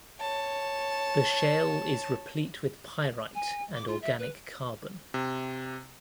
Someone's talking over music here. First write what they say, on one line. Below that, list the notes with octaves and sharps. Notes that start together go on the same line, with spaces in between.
The shale is replete with pyrite and organic carbon.
C#5 A5
G#5
D6
F4
E5
B4
C3